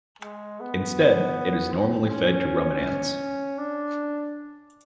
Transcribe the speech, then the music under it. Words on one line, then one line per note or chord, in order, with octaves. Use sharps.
Instead, it is normally fed to ruminants.
G#3
B3
C4
C#4
D4